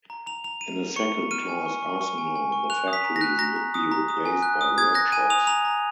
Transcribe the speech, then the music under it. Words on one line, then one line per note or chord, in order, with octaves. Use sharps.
In a second-class arsenal, the factories would be replaced by workshops.
A#5
A#5 F7
A#5 F7
A#5 D#7
A#5
C#6 C#7
C#6
F6 D#7
G#5
C#6
C#6
C#6
G#5
G#5
C#6
F#6 F7
D#6
B6
A#5
A#6
F#6
A#5 A#6
A#5
D#6
A#5
D#6
G#5
F#6
D#6
D#6 G#6
F#6 A#6
G#5 D#7
D#6 F7
A#5 F7
A#5